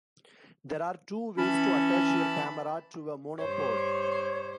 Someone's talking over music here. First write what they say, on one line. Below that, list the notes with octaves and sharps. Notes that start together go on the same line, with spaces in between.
There are two ways to attach your camera to a monopod.
E3 C#4 A5 B5
G2 C5 C#5